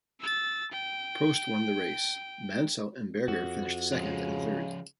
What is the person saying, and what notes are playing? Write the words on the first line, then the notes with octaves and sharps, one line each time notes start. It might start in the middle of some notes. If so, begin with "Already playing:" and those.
Prost won the race; Mansell and Berger finished second and third.
E6 A6
G5
F2 F#4
C#3 F3 G#3